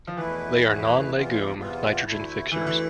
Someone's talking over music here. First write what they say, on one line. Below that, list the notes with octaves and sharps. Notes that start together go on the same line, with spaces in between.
They are non-legume nitrogen fixers.
F3
E2 B2 E3 A3 E4 B4
E2 B2 A3 E4 B4
E2 C3 E3 B3 F4
E2 C3 E3 B3 F4
D2 D3 A3 E4
D2 D3 E3 A3 E4
E3